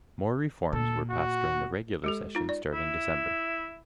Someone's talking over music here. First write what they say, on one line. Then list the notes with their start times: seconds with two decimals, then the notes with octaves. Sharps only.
More reforms were passed during the regular session starting December.
0.73 A#2 A4
1.10 F#4
2.04 G#3 G4 A4
2.35 D#4 F4
2.49 D5
2.73 E4